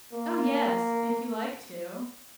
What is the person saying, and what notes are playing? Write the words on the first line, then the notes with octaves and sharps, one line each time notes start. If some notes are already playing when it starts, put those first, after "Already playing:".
"Oh yes; if you like to."
A#3